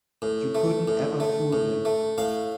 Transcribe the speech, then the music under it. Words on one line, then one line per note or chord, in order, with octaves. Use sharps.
You couldn't ever fool him.
A2
A3
A2
A3
A2
A3
A2 F5